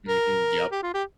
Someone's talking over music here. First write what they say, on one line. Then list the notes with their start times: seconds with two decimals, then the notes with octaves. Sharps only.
Mhm. Yep.
0.08 A#4
0.72 G4
0.83 F4
0.94 G4